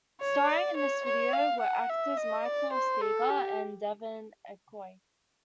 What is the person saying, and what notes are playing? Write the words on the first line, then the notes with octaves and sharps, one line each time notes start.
Starring in this video were actors Michael Steger and Devon Aoki.
C#5
D5
C#5
C#5
F5
F#5
E5
D#5
D5
C5
A4
G4